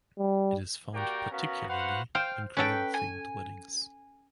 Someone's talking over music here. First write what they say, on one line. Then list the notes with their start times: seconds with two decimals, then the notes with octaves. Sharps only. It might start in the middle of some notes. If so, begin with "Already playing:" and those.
It is found particularly in Creole-themed weddings.
0.18 G3
0.94 A#3 F#4 G4 A#4 D5 G5
1.31 B3 C#4 F#4 A#4 B4 F5
1.68 F#4 B4 C5 F5 F#5
2.15 C5 F5 G5
2.57 C#4 A4 B4 G5
2.94 G#5